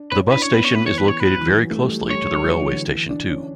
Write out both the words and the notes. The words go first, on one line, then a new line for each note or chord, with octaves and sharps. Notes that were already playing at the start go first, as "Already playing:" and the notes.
The bus station is located very closely to the railway station too.
Already playing: D4
C#4 B4
E4
D4 B4
C#4 C#5
B3 B4
C#5
B4
E3 C#5
B4
C#5
B4
F#3
E3
F#3
A3
G3
A3
G3 C#5
F#3
F#3
E3
D3
E3
D4
C#4